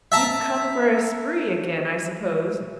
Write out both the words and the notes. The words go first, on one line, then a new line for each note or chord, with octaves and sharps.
You've come for a spree again, I suppose?
E5 A5 A#5